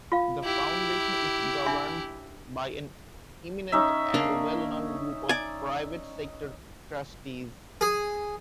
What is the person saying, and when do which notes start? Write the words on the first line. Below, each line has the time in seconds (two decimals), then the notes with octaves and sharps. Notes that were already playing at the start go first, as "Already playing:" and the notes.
The Foundation is governed by an eminent and well-known group of private sector trustees.
0.12 F4 F5
0.44 E4 G4
1.66 D4 E5 B5
3.72 C#4 D#4 E5
4.14 A#3 D4
5.29 D5 G#5
7.81 G#4